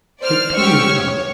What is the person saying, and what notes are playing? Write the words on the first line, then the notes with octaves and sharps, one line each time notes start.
Take plenty of time.
C5 D5 F6
B3 C#4 G4 C#6 E6 F6
C#5